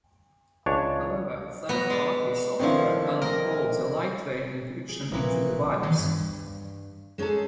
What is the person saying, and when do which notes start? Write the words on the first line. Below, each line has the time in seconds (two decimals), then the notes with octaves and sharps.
However, third-party software can decode the lightweight encryption in the device.
0.66 C#2 D4 C#5
1.69 B2 B3 A#5
1.90 G#3 D5
2.59 B2 D#3 F3 C4 D4 E4
3.22 A#4 D#5
4.89 G#4
5.12 A#1 E3 E4 B4 A#6
5.83 D#3 E3 B3 D#4 B4
5.98 G2
7.18 G#3 C#4 D#4 G#4 A4